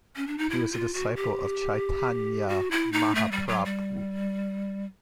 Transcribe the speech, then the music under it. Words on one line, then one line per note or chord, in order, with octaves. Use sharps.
He was a disciple of Chaitanya Mahaprabhu.
C#4
D4
D#4
E4
F4
F#4
G4
F#4
E4
D#4
A3
G3
F#3
G3